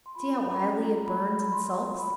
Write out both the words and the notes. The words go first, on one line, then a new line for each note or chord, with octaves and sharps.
See how wildly it burns and sulks.
C6
F4 B5
C#4 B5
A#5
F4
A#5
G#3 B5
G#3
B5
C6
F4
B3 B5